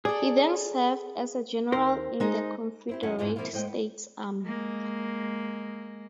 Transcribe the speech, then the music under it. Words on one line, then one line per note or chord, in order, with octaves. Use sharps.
He then served as a general in the Confederate States Army.
G#4 A4 D5
D#2 A#4 C5
G#3 D#4 D#5
C4 E4 G4
D#2 F#3 C#4 E4 D#5 F#5
E2 G#2 C3 E3 D4 F4
B2 F3 A#3 C4 E4 F4
A2 G#3 A#3 C5 D#5 G5
B3
G#3 A#3